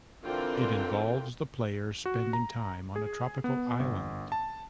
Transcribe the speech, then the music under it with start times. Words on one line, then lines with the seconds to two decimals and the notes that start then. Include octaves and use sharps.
It involves the player spending time on a tropical island.
0.23 D3 E3 C4 F4 A#4 G5
2.05 F#4
2.33 A#5
2.96 G#4
3.44 B3
3.80 G1
4.32 A5